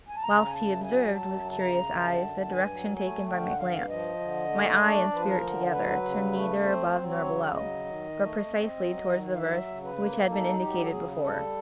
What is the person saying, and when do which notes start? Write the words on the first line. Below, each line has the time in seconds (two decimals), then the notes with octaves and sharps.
Whilst he observed, with curious eyes, the direction taken by my glance, my eye and spirit together turned neither above nor below, but precisely towards the verse which had been indicated before.
0.08 G#5
0.16 A5
0.23 C#3 A#5
0.46 G#5
0.53 F#2 A5
0.84 F#3 G#5
1.14 F#2 A5
1.45 C#3
1.51 A5
1.60 A#5
1.75 F#2
1.99 A#5
2.05 D3 A5
2.37 G2 A5
2.52 G#5
2.67 F#3
2.97 A3 G#5
3.28 D3 G5
3.47 F#5
3.58 G2 F5
3.88 F3 D#5
4.20 D3
4.49 A3
4.74 D#5
4.80 D4 D5
5.11 F3 B4
5.26 A#4
5.41 D3
5.66 A#4
5.71 F#3 B4
6.02 C#3
6.32 A3
6.63 C4 C5
6.94 F#3
7.09 C#5
7.23 C#3
7.54 F#3 D#5
7.85 D#3
8.15 A3
8.46 C4
8.77 F#3
9.06 D#3
9.33 F5
9.37 F#3 E5
9.67 C#3
9.83 B4
9.98 A#3
10.28 D#4 A4
10.59 F#3 G4
10.83 A4
10.89 C#3 G#4
11.11 G#4
11.20 G3 A4